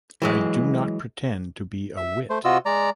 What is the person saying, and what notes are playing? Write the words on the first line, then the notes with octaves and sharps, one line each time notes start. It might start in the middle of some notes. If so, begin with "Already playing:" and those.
I do not pretend to be a wit.
E3 F#3 G#3
E5
A3 C5
C3 F4 F#4 D#5 E6
G#3 D5 A#5